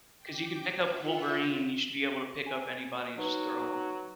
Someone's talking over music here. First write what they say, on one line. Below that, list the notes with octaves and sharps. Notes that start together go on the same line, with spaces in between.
'cause you can pick up Wolverine, you should be able to pick up anybody and just throw 'em.
G5 D6
F4 E5 F#5
C#3
G#5
F#3 D#4 F#4 B4